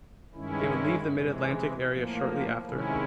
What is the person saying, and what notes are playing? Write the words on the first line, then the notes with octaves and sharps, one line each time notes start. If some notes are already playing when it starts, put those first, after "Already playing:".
They would leave the Mid-Atlantic area shortly after.
G2 D#3 G#3 C#4 E4
C3 E3 G#3
A2 F3 A#3
C3 D#3 G#3 C#4 E4